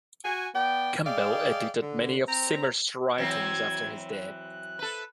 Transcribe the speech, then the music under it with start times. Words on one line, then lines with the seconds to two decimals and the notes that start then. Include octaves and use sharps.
Campbell edited many of Zimmer's writings after his death.
0.24 F#4 G#5
0.55 B3 D5 G5
1.06 G#4 D5 D#5 F5 G5
1.80 D3
2.27 C4 A#5
3.18 E3 F#3 C4 G#6
4.12 F#6
4.79 A4 B4